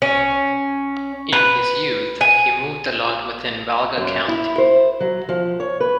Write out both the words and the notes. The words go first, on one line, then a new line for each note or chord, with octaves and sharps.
In his youth he moved a lot within Valga County.
C#4
B4
G#5
F#2
E4
C5
F#3
F3
C#5
B4